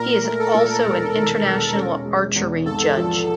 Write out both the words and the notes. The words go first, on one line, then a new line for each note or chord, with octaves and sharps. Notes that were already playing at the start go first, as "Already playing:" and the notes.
He is also an international archery judge.
Already playing: A#2 A#4
A3
A4
A#2
E1 A#4
D#3
E1
C#4
G#3
E2
G#1 A4
F3